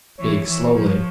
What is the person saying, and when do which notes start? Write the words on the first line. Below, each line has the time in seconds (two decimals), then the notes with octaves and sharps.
Bake slowly.
0.18 E3 C#5
0.46 E3
0.75 F3